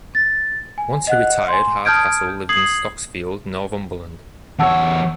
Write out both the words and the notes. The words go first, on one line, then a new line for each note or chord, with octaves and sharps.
Once he retired Hardcastle lived in Stocksfield, Northuberland.
A6
G#5
D#5 F#5 F#6
G#5 C6
A5 D#6 F6 G6 G#6 D7
D#6 G#6 C7 F#7
E2 C#5 F#5 A5 E6